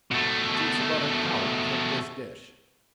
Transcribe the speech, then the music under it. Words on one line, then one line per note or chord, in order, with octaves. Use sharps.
It takes about an hour to cook this dish.
B2 A3